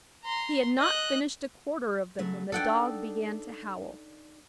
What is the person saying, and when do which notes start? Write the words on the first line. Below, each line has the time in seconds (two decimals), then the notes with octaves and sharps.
He had not finished a quarter of them, when the dog began to howl.
0.24 A#5 C6
0.78 D#5 F#6
2.19 C#3 F#3 A3
2.52 D4 D#4 A4 D5 F#5 G5